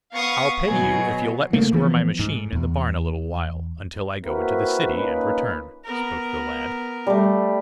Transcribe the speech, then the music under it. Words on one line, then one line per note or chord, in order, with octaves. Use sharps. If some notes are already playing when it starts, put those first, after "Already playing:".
"I'll pay you if you'll let me store my machine in the barn a little while, until I go into the city, and return," spoke the lad.
B3 F5 C#6 D#6
B2 F#3 G#4
C#3 A3 A#3
E3 F3 A#3 B3
G#2
E2
A#3 C4 E4 F#4 A#4 B4
A#3 C#4 D#4 F4 B4
B3 A#4
G3 A3